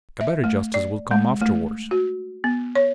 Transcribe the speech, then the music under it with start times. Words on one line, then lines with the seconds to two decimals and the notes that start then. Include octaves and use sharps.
A better justice will come afterwards.
0.21 E5
0.44 A3
0.74 D5
1.11 G#3
1.41 A3
1.91 F#4
2.44 B3
2.75 C#5